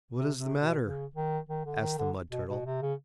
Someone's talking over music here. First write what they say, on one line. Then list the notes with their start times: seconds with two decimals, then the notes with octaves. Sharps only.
"What is the matter?" asked the Mud Turtle.
0.16 C3
0.38 C3
0.60 B2
0.83 C#3
1.15 D#3
1.49 D#3
1.65 D3
1.82 D#3
1.98 D3
2.32 B2
2.49 B2
2.66 C3
2.82 C#3